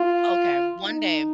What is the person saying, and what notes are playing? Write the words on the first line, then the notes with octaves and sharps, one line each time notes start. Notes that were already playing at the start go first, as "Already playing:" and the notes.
Okay, one day,
Already playing: F4
D#4